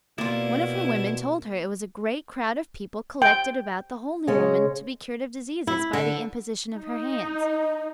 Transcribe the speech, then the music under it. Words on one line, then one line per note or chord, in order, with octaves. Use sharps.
One of her women told her it was a great crowd of people collected about the holy woman to be cured of diseases by the imposition of her hands.
B2 A#3 E4 F4 D5
G5
C#3 G#3 C#4
E4
D3
D#4
D#5